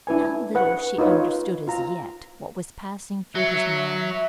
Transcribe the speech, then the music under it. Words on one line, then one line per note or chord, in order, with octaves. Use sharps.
How little she understood as yet what was passing through his mind.
D4 E4 B4 G#5
B4 F#5
D#4 F4 B4 C#5
F4 A#5
F#3 E5